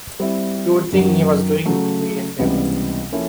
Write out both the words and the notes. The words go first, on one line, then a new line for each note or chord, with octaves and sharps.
You'd think he was doing me a favor.
G3 C4 E4
F#2 D#3 F#3
C#3 F#3 A3
C#2 C3 E3 G3 B3
F3 A#3 C#4 E4 A4